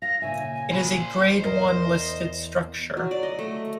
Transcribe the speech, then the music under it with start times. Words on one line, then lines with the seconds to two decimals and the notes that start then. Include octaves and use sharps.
It is a grade one listed structure.
0.02 F5 A#6
0.22 A#2 C#3 E5 G#5
0.72 C5 B5
1.42 E2 A#4 D#5 A#5
2.97 F#3
3.11 D5
3.23 D#5
3.39 A3